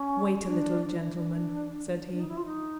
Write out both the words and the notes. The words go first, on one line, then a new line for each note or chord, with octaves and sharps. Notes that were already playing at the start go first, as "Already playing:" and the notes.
"Wait a little, gentlemen," said he.
Already playing: C#4
D4
D4
D4
D#4
E4
F4
D#4